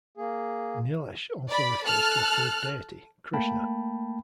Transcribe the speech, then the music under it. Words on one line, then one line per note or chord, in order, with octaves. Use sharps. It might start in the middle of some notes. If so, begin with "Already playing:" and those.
Nilesh also refers to a third deity: Krishna.
A#3 G#4
D5 B5
A4 A5 F6 F#6
A3 A#3 G5 A5 B5